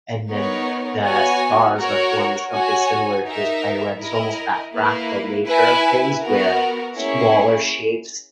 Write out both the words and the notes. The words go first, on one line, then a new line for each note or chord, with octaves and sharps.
and then the stars are forming something similar to a spiderweb. There's almost that fractal nature of things where smaller shapes
B3 D#4 A#4 C#5
B3 F#4 C#5 G#5
F#4 A#4 C#5
F#4 C#5 G#5
D#4 A#4 E5
E4 A#4 D#5
A#3 E4 B4
E4 B4 E5 G#5
B3 F#4 A#4
A#3 C#4 E4 G#4 C#5